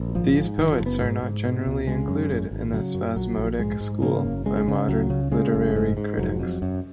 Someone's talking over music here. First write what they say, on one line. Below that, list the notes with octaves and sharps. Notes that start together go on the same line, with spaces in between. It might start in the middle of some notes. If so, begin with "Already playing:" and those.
These poets are not generally included in the Spasmodic school by modern literary critics.
Already playing: A#1
G#1 F3
G#2
F#1 D#3
F3
F#1
B3
G#2
G#2
B2
C#2
C#3 G#3
F#2
G#1
G#1
C#3 F#3
F#2
A#1 F#3
A#1
G#2 G#3
G#2
C#3 A#3
F#1
C#3 G#3
C#3
C#2 F#3
C#3
C#3 G#3
F#1
G#2
G#2
F1 F#3
F2
F#2